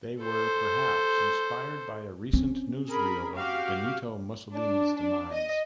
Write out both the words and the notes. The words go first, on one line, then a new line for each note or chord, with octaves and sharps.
They were perhaps inspired by a recent newsreel of Benito Mussolini's demise.
A4 C5
C4 C#4
G#4 A#4 B5
F#4 G4 F5
D4
D4
D#5